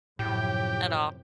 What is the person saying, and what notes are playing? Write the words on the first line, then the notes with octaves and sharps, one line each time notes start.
at all.
F#2 A2 C3 F3 G4